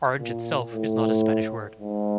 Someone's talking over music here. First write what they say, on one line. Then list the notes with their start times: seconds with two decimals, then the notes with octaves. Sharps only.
"Orange" itself is not a Spanish word.
0.20 A#2
0.73 A2
1.80 G#2